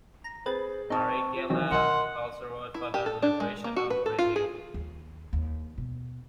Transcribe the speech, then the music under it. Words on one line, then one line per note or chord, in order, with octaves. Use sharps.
Marighella also wrote "For the Liberation of Brazil".
A#5
C4 G#4 B4 C5 A6
C4 D#4 A5 C#6
F4
C3 D#3 E3 F#3 C4
B1 A#4 D#5 F#5 C6
E4
G4
A4
D4
G#3
A#3
F#4
B4
A4
F4
G#4
D#2
D#2
B2